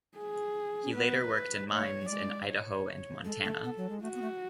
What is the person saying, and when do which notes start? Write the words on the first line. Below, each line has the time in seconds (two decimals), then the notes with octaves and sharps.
He later worked in mines in Idaho and Montana.
0.18 G#4
0.84 C#4
0.95 B3 B4
1.72 A3 C#5
2.01 F#3
2.10 G#3 D5
2.48 C#5
3.25 G#3 A4
3.44 A3
3.64 B3
3.77 F#3
3.89 G#3
4.02 A3 F#4
4.15 B3
4.22 A3